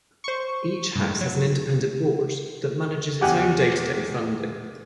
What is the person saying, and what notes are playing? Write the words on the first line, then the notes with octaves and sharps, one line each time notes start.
Each House has an independent board that manages its own day-to-day funding.
C5 C#6
G2
F#3
E2 G4 F#5 G#5